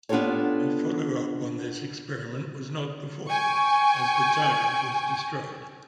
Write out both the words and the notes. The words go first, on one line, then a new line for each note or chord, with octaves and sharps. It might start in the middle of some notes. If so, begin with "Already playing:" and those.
A follow-up on this experiment was not performed, as the target was destroyed.
B3 D4 F4 G4 A4 C#5
G5 G#5 C#6